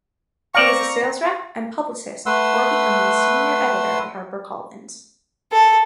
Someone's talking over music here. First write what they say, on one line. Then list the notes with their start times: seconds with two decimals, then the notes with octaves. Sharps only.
He was a sales rep and publicist before becoming a Senior editor at HarperCollins.
0.54 C4 D5 F5 A#5 C#6
2.26 A3 B4 F#5 C6 E6
5.52 A4